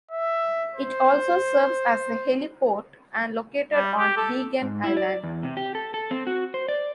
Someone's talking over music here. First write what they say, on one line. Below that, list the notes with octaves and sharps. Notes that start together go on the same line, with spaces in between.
It also serves as a heliport and located on Beigan Island.
E5
C5
G3
G4
A4
G#2
E4
D5
E2
C3
G4
A4
A4
C4
F#4
C5
D5